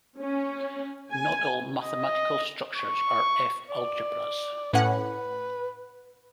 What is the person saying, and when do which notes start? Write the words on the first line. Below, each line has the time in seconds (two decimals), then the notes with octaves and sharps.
Not all mathematical structures are F-algebras.
0.19 C#4
1.11 G#5
1.83 D#5
2.77 C#6
3.70 D5
4.73 A2 C#4 B4 F#5